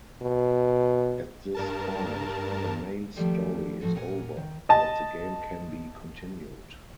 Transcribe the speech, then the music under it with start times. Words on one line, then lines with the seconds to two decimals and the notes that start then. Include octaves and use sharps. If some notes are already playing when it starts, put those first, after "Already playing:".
At this point, the main story is over, but the game can be continued.
0.22 B2
1.55 G2 A#4 A5
3.16 D#3 F3 G3 A3 B3
3.81 A2 F3 A3 F#4 A4
3.95 A#2 A#4 F#5 G#5
4.37 D#3
4.69 D#5 A5